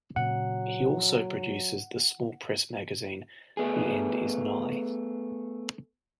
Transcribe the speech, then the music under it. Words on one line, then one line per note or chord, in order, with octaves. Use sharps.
He also produces the small press magazine "The End Is Nigh".
A#2 C#3 F#3 F#5
A3 B3 G#4